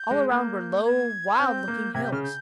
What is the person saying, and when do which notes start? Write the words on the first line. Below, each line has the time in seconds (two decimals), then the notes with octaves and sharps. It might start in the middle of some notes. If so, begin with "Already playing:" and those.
All around were low, wild-looking hills.
Already playing: G6
0.11 G#3
0.29 A#3 G6 G#6
0.85 G#6
1.39 C4 G6
1.68 A#3
1.94 C3 G#6
2.04 G6
2.12 C#3 F6
2.23 G6